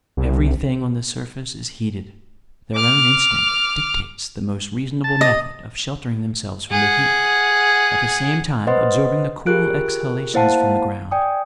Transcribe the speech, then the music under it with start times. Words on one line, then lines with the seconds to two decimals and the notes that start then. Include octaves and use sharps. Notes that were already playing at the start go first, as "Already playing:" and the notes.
Everything on the surface is heated; their own instinct dictates the most reasonable method of sheltering themselves from the heat, at the same time absorbing the cool exhalations from the ground.
0.17 C2
2.75 D6 F6
5.04 A5
5.21 D#5
6.71 G#4 F#5
8.67 B4 C5 D#5 F#5 C6
9.46 F4 G4 G#4 A#4 F#6 D7
10.34 A#3 E4 C5 F5 F#5 A5
11.11 D5 G5 G#5 D#6